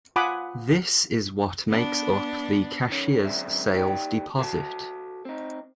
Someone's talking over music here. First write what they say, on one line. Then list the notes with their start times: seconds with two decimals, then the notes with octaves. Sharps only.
This is what makes up the cashier's sales deposit.
0.16 F4 F#5 G#5 B5 D6 D#6
1.69 B3 D4
2.89 D#3 C#4
3.21 F#2 D3 G#3 C4 D5 E5
3.75 D#4 G4 D5 G5
4.39 F#4 A4 F5 A5
5.25 C4 D#4